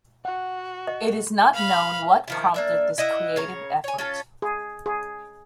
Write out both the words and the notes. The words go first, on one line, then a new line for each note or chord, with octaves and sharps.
It is not known what prompted this creative effort.
F#4 F#5
D#5
F5 B5
D#3 F3 E4
A#3 D4 E5
E4 D#5 E5 F#5
C#3 C#5 A#5
C#5 G#5
C#4 F4 A4
G#4
G#4